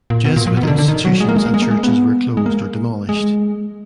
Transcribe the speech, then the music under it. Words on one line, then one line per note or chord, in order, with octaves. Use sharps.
Jesuit institutions and churches were closed or demolished.
A#2
B2
A#2
A#2
B2
D#3
D3
D3
D#3
F#3
G#3
A#3
G#3
A#3
G#3
A#3
G#3
B3
G#3
A#3
G#3